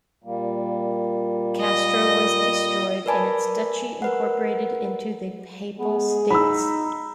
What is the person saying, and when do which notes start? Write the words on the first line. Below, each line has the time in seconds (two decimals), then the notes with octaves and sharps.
Castro was destroyed and its duchy incorporated into the Papal States.
0.24 A#2 G3 A#3
1.61 D#5
3.06 A#4 B4 D5 G#5 A5 B5
4.02 A#4 B4 F#5
5.79 G#3 B3 G#4
6.30 D#4 B5 E6